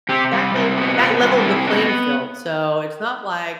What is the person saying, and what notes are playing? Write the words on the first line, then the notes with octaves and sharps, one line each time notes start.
that made that leveled the playing field, so, it's not like
C3 G4
G3
C3
B3
C3 F4
G3 F4
D4
C3 E4
B3 D4